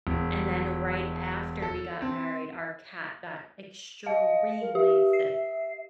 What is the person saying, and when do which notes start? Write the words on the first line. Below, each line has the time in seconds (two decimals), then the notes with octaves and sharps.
And then right after we got married, our cat got extremely sick.
0.07 E1
1.62 A4
2.02 C4
4.06 D#5 F5
4.61 A#4
4.75 G4 E5
5.13 C7